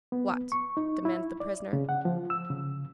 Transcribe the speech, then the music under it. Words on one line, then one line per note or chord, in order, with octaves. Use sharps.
"What?" demanded the prisoner.
B3
C#6
D#4
E4
D5
C#3
F#5
F3
E6
C#3